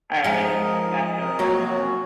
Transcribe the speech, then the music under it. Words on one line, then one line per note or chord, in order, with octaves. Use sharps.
Alright, I got you on that one.
F3 G#3 D#4
D#5
A#4
D#5
D#5
A#4
F#3 A#3 F#4
F#4
C#4